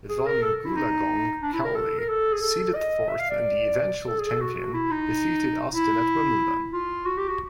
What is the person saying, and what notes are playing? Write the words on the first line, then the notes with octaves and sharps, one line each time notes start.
Evonne Goolagong Cawley, seeded fourth and the eventual champion, defeated Austin at Wimbledon.
G#4
A#4
A4
E4
D#4
D4
E4
A#4
A4
A#4
A4
G#4
A4
D#5
E5
F5
D5
A4
G#4
A4
F#4
E4
D#4
E4
F4
F#4
G4
F#4